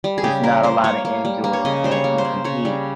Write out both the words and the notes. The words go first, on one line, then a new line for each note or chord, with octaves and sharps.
it's not a lotta Androids that can compete.
G3
G#4
C#3 G4
A#3 A#4
A#3 C5
A#3 C#5
A#3
G3
A#3
C#5
C#3 D#5
G3 C5
C#5
A#3
C5
C#3
C#3 C#5
G3